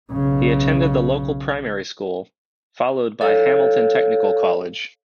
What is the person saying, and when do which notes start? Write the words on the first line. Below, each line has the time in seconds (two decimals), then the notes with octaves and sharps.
He attended the local primary school, followed by Hamilton Technical College.
0.12 B1 C#3
3.21 A4 C#5 F5